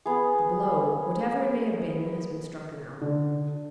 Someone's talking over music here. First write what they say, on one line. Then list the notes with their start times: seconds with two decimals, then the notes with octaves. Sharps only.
The blow--whatever it may have been--has been struck now.
0.06 B3 G#4
3.01 D3